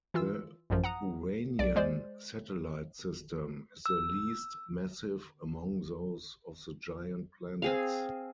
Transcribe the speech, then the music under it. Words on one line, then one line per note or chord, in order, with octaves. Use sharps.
The Uranian satellite system is the least massive among those of the giant planets.
E3 F4 E6
A1 F#2 F3
F#5 A#5 D#6
B1 D5 D7
G#3 C5 D5
E6
C4 G#4 F5